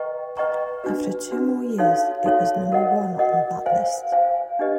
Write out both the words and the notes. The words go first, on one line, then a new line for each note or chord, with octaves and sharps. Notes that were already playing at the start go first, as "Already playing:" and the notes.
After two more years, it was number one on that list.
Already playing: B4 D#5 G5 A#5 C#6
B4 D#5 G5 A#5 C#6
D4 F#4 B4
D4 F#4 B4
D#4 F#4 A4 C#5 F5
D#4 F#4 A4 C#5 F5
F#4 A#4 D#5 F#5
F#4 A#4 D#5 F#5
C5 F5 G#5
C5 F5 G#5
D4 G4 B4 D#5